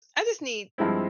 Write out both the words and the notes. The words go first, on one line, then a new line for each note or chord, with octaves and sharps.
I just need
G2 F3 G#3 C4 E4